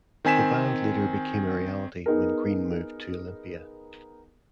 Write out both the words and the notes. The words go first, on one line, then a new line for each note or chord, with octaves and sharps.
The band later became a reality when Green moved to Olympia.
D#3 C4 G#5 B6 E7
B3 D#4 G#4 A#4